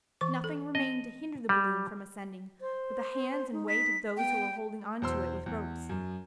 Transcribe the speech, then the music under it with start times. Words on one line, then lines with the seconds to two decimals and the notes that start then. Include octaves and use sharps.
Nothing remained to hinder the balloon from ascending but the hands and weight of those who were holding on to it with ropes.
0.21 E3 C#6
0.44 A4
0.75 C4 D#5
1.49 G3
2.61 C5
3.53 D#4
3.69 B6
4.17 B3 G5
5.02 E2 B2 C5 C6 E6
5.46 E2
5.89 F#2